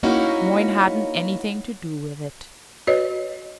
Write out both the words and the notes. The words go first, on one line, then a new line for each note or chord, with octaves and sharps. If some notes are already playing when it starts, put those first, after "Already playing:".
Moyne hadn't anything to do with it.
A#3 C#4 D#4 E4 F#4
F#4 B4 C#5 D#5